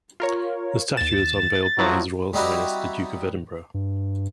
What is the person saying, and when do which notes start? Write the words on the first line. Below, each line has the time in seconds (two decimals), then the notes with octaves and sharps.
The statue was unveiled by His Royal Highness, The Duke of Edinburgh.
0.20 F4 A#4 C#5
0.97 D#2 A6 E7
1.79 A1 F3 F#3 E4
2.34 G3 C4 D#4 E4 F#4 G4
3.74 G2